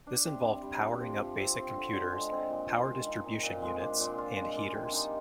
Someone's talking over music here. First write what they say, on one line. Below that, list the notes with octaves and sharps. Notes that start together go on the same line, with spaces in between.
This involved powering up basic computers, power distribution units, and heaters.
D4
C3
C3
G3
G4
F3
F3
C4
C4
D3
D3
G#3
C4
A#2
F4
G#3
D#4
A#2
A#2
G#3
D4
A#2
F4
G#3
A#3
C3
D#4